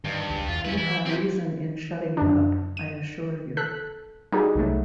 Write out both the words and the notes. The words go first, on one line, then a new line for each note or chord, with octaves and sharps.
You have reason in shutting it up, I assure you.
G2 D#3
C#2
E2 F4
C#4 E4 B4
E3 E4
C4 G4
F#2 D4
D#7
A4 F#6 B6
G3 D#4 F#4 G#4
C2 F#3 A3